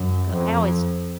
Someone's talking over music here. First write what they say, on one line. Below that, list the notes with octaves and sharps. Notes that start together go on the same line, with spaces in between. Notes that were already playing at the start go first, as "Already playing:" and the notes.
because I always
Already playing: F#2
F2